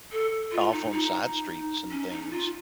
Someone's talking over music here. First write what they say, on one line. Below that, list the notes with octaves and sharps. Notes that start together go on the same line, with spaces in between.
off on side streets and things,
A4
F4
D#4
D#4
C#4
D#4
F4